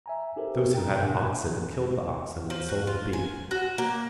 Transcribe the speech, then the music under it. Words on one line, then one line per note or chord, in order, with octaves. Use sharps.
Those who had oxen killed the oxen and sold the beef.
E5 G#5 A#5
D#4 G4 A4 A#4 C5
G5 A#5
A#2 C#3 D4 A#4 F#5 G#5
F#6
F3
F#4
F4
G#5
F#4
A#3